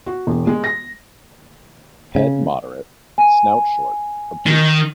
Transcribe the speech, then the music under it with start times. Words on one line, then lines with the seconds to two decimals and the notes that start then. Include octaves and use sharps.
Head moderate; snout short, obtuse.
0.06 F#4
0.27 E1
0.47 G#3
0.64 A#6
2.15 C#3
3.18 G#5
4.46 D#3